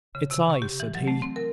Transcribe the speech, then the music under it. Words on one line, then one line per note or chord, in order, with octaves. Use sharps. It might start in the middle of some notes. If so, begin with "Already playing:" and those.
"It's I," said he.
C#3
C3
C#6
G4
E3
F#3
A3
C4
A#4